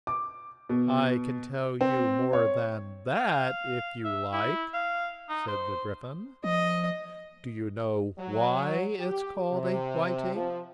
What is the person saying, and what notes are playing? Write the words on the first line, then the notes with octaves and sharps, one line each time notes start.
'I can tell you more than that, if you like,' said the Gryphon. 'Do you know why it's called a whiting?'
D6
B2
C4
C#5
F5
E5
E4
F5
D#4
C5
F3 D#5
F#3
G4
C3
F3